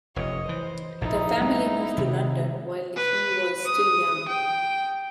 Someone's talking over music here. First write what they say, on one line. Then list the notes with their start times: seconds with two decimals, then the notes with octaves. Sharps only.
The family moved to London while he was still young.
0.16 F1 F#2 C#5 D#5
0.49 E3 C5
1.01 A#1 G#2 D#4 E4
1.41 G3 A3
1.97 C3 D#3 G3
2.96 B4
3.65 D#6
4.28 G5